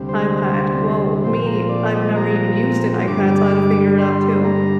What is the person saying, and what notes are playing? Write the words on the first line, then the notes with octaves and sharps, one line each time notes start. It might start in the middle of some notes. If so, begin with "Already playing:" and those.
iPad. Well, me, I've never even used an iPad, so I had to figure it out too.
Already playing: D2 C3 G3
C5
A#2 F3 C4 C5
A#4
D5
D#5
A#5
G2 D3 G3 D6
D6
C6
A#5